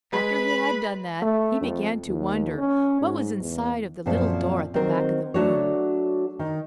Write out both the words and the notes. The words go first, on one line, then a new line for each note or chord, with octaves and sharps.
After he had done that, he began to wonder what was inside of the little door at the back of the room.
G#3 B4 B5
A3
F2
D#2
C#4
G#2
E2
F#2 A#2 F3 C4 A4
D#3 F#3 C4 A#4 C5
F#3 A3 D4 F#4 A4 C#5
D#3